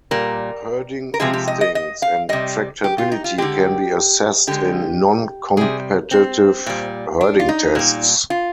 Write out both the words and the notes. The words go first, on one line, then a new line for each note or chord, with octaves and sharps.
Herding instincts and tractability can be assessed in noncompetitive herding tests.
A#2 G3 A#4
A#4
C3 F3 G#3 G#4
G4
D#5
D#5
D#5
F5
C3 G3 D#5
G4
F4
D#4
F4
D3 G#3 G4
D3 G#3 G4
C3 G3 G#4
C4
A#2 G3
D4
F4
D#4
A#2 G3
F4